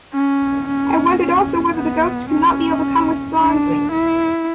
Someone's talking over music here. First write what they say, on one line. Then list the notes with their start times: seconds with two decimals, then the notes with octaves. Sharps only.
I wondered also whether the ghosts could not be overcome with strong drink.
0.14 C#4
0.68 C#4
1.22 C#4
1.76 B3
2.30 C#4
3.37 D4
3.92 E4